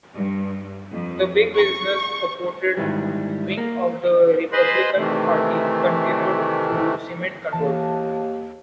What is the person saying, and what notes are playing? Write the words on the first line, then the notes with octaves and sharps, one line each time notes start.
The big business-supported wing of the Republican Party continued to cement control.
G2
F2
C#6
G#2 D#3 E3 G3
A#3
G#4 B4 C5 D#5 B5 C6
C3 D#3 E3 A3
D#2 E3 A5